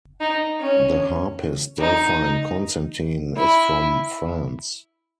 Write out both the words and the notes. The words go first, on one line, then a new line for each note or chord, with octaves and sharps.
The harpist Delphine Constantin is from France.
D#4
C#4
D#4
E4